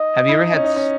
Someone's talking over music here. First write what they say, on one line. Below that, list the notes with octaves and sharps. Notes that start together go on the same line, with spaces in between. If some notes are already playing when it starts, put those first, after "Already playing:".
Have you ever had s
Already playing: D#4 D#5
E4
D#4
C#4
D#4
C#4